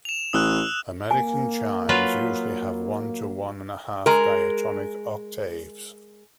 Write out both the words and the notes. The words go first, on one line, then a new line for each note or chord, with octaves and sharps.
American chimes usually have one to one and a half diatonic octaves.
E7 F7
A1 D#6 E6 F#6
A#3 G#5
F#3 F4 B4
G#3 A#4